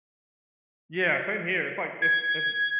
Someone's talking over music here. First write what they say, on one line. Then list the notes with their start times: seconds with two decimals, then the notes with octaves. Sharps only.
Yeah, same here. It's like it's it's
2.02 G#6